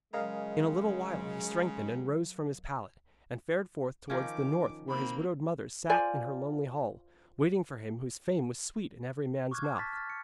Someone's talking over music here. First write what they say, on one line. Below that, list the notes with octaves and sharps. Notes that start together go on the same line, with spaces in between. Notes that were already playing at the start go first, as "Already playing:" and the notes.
In a little while he strengthened and rose from his pallet, and fared forth towards the north where his widowed mother sat in her lonely hall, waiting for him whose fame was sweet in every man's mouth.
C#3 F#3 G#3 A#4 D#5 F5
D#3 F3 C#4 D6
A#3 C4 B5
F4 C5 D5 G#5
C#6 D6 F6 F#6 G#6
A5
F6 A6 B6
F6 A6
C#7